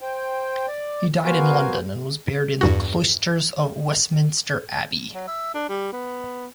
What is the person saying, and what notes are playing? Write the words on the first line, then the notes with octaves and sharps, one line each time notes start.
He died in London, and was buried in the cloisters of Westminster Abbey.
C5 G5
D5
B3 F#4 A#4 C5 F5 G#5
E2 G2 F#4
F#3
E5
D4
G3
B3